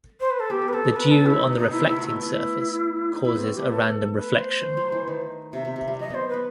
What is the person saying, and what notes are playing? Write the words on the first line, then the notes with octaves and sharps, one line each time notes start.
The dew on the reflecting surface causes a random reflection.
C5
B4
A4
B3 G4
B3
B4
C4 A4
B3
C4 B4
B3 A4
B3
A3 E4
D#3 D#4
C3 D#4
B2
C3 E4
D#3 E4
A3 F#4
B3 E4
B3
A3
D#4
B3 E4
C4 F#4
B3
A3 G4
A4
B4
C5
A3
F#3
E3
D#3
C3 E5
C3
C3
G3
F#3 D#5
B3 C5
B3 B4